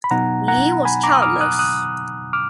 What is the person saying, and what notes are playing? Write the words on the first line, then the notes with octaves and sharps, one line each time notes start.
Li was childless.
B5
B2 F#3 B3 D#4 F#5 A#5
F#5 A#5
G#5 B5
A#5 D6
D#6
D6 F6
D#6 F#6
D#6 F#6
D6 F6